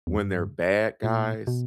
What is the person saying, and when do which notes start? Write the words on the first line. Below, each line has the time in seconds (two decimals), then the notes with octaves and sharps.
when they're bad guys,
0.07 E2
0.18 G2
1.04 A#2
1.47 B2